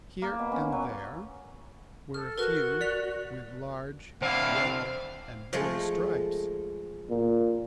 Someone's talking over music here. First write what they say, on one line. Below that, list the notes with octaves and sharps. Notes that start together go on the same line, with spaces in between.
Here and there were a few with large yellow and blue stripes.
A#3
B2
C#4
F#3
A4 F6
F#4 A#4 B4 F6
D5 B6 F7
D3 C4 E4 F5
F3 G#3 A3
A#2